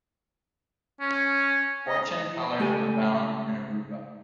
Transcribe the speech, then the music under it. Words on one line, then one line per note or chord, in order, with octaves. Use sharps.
Fortune tellers abound in Aruba.
C#4
D#5
C#2 A3 G4 G#5